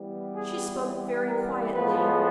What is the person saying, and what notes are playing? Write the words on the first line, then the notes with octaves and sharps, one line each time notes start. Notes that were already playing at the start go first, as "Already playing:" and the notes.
She spoke very quietly.
Already playing: E3 G3 B3
G#4
A#4
A2 F3 G#3 B3 B4